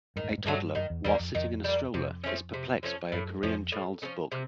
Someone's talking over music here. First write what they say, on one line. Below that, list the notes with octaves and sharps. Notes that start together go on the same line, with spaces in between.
A toddler, whilst sitting in a stroller, is perplexed by a Korean child 's book.
G2 D#3
G#2
G2
G#2
G2 F#3 A3 D4
F#2 D#3
E2
E2 G3 A#3
F2
F2 D#3
G3 A#3
F2 C3
F3 A3 C#4
C3
F3 A3 C#4
F#2 A2
F2 F3 A3 C#4
A2
F3 A3 C#4
C3